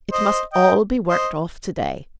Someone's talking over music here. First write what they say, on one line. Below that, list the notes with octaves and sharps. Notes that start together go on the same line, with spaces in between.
It must all be worked off to-day.
C5 D#5
D#5 G5
C5 D#5